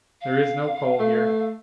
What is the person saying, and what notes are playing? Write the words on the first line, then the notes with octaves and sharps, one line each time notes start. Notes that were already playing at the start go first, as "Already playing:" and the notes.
There is no coal here.
F5
A3